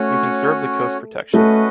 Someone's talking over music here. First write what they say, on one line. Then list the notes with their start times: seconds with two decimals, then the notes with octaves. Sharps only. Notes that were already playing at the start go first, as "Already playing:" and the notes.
You can serve the coast protection.
Already playing: A3 C#4 F#4 C#5
1.34 A3 C#4 F#4 B4 D#5